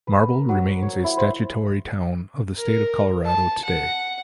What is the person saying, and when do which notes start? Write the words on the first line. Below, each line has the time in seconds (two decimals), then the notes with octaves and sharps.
Marble remains a statutory town of the State of Colorado today.
0.07 B4
0.29 A#4
0.49 F#3
0.82 C#5
1.04 E4
1.17 C5
2.56 A#4
3.26 A5
3.64 F#5